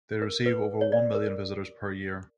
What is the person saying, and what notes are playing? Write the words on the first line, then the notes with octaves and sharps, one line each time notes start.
They receive over one million visitors per year.
A#4
B4
C#5
D5
A#4